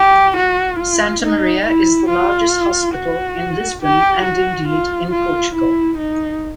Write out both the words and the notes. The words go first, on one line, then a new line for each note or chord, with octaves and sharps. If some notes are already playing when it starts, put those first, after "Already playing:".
Santa Maria is the largest hospital in Lisbon and indeed in Portugal.
Already playing: G4
F#4
F4
D#4
E4
F4
F#4
G4
F#4
F4
F4
E4
D#4